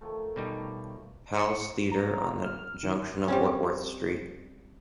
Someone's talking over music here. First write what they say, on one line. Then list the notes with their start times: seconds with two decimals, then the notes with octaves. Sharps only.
Palace Theatre on the junction of Whitworth Street.
0.01 D#3 F3 A3
0.36 B2 G3 D#4
1.34 C#7
1.91 A#5
2.44 F6
2.83 D#3
3.28 G3 C4 C#4